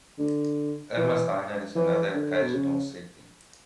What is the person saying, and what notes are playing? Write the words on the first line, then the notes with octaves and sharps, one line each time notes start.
Irma's Diner is another occasional setting.
D3
E3
E3
D3
B2
C#3